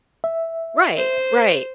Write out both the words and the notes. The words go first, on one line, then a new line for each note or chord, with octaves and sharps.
Right right,
E5
C5